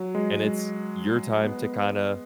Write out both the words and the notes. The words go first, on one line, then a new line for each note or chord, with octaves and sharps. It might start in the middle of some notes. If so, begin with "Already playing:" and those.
and it's your time to kinda
Already playing: F#3
G#3
B3